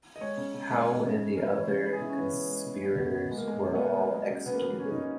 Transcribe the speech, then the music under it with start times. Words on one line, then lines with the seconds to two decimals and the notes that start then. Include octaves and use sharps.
Hou and the other conspirators were all executed.
0.16 D#5
0.21 G#3 C#5
0.37 C#3
0.54 C#3
0.70 G#3
0.87 G#3
1.03 C#3
1.19 C#3
1.35 G#3 A#4
1.44 B4
1.52 E3 C#5
1.68 C#3
1.84 G#3 B4
1.93 G#4
2.01 C#3 E4
2.09 C#4
2.17 E3 B3
2.33 C#3
2.50 G#3
2.66 C#3
2.83 G#3 B3
2.99 B2
3.15 B2
3.31 G#3
3.37 A#3
3.48 G#3
3.64 B2
3.75 B3
3.80 B2 A#3
3.97 G#3
4.13 F#3
4.29 C#3
4.46 C#3 B3
4.54 A#3
4.62 F#3 B3
4.78 F#3 C#4
4.90 C#3 D#4
5.01 C#4